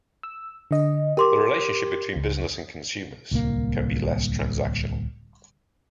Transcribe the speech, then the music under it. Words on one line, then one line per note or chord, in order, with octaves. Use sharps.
The relationship between businesses and consumers can be less transactional.
E6
D3 D#5
G4 A#4 C6 D6
C#2
D1 C2 G3 A#3